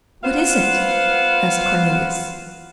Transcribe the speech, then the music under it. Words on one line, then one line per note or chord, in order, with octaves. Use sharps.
"What is it?" asked Cornelius.
B3 F4 C5 F5 F#5